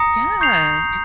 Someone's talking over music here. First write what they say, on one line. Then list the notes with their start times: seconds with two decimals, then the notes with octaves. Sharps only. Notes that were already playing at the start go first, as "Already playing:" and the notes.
Yeah, you're
Already playing: A#5 D#6 A#6 C#7
0.41 C#6 G6 C7 F7